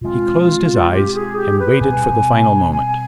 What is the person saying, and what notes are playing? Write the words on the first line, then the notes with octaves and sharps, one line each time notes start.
He closed his eyes and waited for the final moment.
B2 G#3 C4 F4
G4
G#4
G4
B4
B2 G3 C4 G#5
G#5